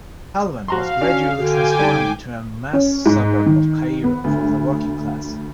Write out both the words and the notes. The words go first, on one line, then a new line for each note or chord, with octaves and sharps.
Helwan was gradually transformed into a mass suburb of Cairo for the working class.
F3 F#4 F5 A#5 C6
C#4 D4 F#4
D3 F#4 G5 G#5 D6
G3 D#4 A5
C#4
G#2
D#3
B3
D2